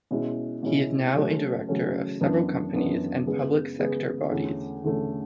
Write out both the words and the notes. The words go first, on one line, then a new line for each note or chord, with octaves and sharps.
He is now a director of several companies and public sector bodies.
B2 G#3 C#4 E4
B2 G#3 C#4 E4
C#3 F#3 A3 C#4
C#3 F#3 A3 C#4
F#2 E3 B3 D4
F#2 E3 B3 D4
C#3 G#3 B3
C#3 G#3 B3
E2 D3 A3 C#4
E2 D3 A3 C#4